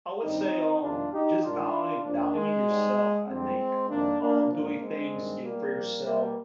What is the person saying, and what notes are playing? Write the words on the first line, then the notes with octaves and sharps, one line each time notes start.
I would say, um, just value valuing yourself, I think. Um, doing things, you know, for yourself,
G2 D#3 G3 C4 D#4
F2 C3 D#3 G3 D4 F4
D#4 G4
G#2 D#3 G3 D4 F4
F2 C3 F3 A#3 D4
G#3
G#2 G3
F2 D3 G3 G#3 C4
F2 C3 D#3 G3 A#3 D4
A#3 D4
G#2 F3 A#3 D4
G#3 C4
G2 D#3 G3
G3 A#3
A#2 F3
G3 A#3